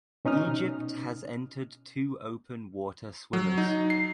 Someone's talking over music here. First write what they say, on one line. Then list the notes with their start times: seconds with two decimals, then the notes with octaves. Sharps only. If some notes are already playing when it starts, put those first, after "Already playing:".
Egypt has entered two open water swimmers.
0.25 B2 C#4 D#4 D#6 F6
3.33 F#3
3.58 D#4
3.90 C7